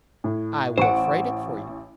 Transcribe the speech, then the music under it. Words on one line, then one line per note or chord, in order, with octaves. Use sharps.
"I will freight it for you."
A2
A1 C5 F#5 C#6 D7